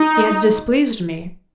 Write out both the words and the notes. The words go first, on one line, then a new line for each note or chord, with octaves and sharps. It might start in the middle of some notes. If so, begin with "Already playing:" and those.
"He has displeased me."
Already playing: D#4